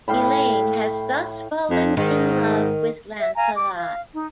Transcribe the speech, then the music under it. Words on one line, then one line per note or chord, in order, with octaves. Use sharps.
Elaine has thus fallen in love with Lancelot.
A2 F5 G5 B5
F2
G#2 D#3
E5
F5 G#5 A#5
D6
F5
D#4